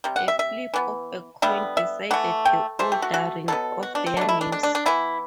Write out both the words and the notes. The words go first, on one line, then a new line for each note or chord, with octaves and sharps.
A flip of a coin decided the ordering of their names.
C3 G3
F#5
E5
E5
E3 B3
D3 G3 B3 E5
E5
E3 A3 F#5
G5
E3 A3 C5
G4
F#4
F#4
B2 F#3 B3 A4
F#4
D4
C4
B2 A3 D4
E4
D4
D4
D4
D4
E3 B3 E4